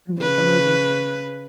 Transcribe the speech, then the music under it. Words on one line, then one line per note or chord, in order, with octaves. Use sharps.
And make a movie.
C#3 B4